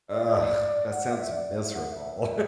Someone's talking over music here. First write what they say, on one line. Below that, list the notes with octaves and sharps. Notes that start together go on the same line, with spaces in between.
Ugh! That sounds miserable.
D5
F#5
E5
D5
E5
E5
F#5
E5
E5